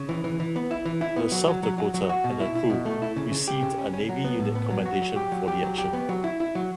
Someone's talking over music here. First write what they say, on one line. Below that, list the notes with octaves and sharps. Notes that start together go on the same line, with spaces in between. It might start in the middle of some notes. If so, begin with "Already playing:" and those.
The "South Dakota" and her crew received a Navy Unit Commendation for the action.
Already playing: C#3
E3
E3
E3
B3
E4
E3
E4
B3
F#3
F#3
F#3
F#3
F#3
F#4
B2
E4
E4
B2
A3
E4
C#3
C#3
G4
C#3
C#4
C#4
F#3
B3
A2
B3
F#3
F#4
F#3
G4
F#3
G4
F#3
G4
B3
F#3
E4
E4
F#3